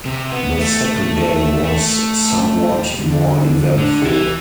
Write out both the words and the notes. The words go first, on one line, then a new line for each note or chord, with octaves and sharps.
The second game was somewhat more eventful.
C3
B3
A3
A3
G3
D3
D3
E3